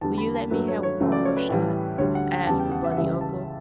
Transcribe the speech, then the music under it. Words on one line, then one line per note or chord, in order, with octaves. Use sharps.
"Will you let me have one more shot?" asked the bunny uncle.
E2 D3 G3 A5
B5
A5
G2 F#3 A3 B4
C#5
C#5
C#2 C#3 F#3 A3
D5
C#5
B4
A2 E3 G3
D2 D3 G3 C#5
F#5
G5
E2 C#3 G3 A5
G5
F#5
E5
F#5
C#2 C#3 E3 G3 E5
A5